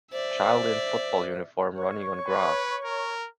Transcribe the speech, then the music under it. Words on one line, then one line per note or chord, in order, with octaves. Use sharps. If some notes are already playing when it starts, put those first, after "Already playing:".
Child in football uniform running on grass.
C5 D5 E5
C#5 C#6
B4
A#4